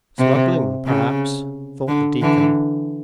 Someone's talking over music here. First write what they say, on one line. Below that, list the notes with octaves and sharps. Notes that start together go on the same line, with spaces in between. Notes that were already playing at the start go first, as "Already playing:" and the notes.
"Smuggling, perhaps," thought the deacon.
C3
C#3
D3
D3 E3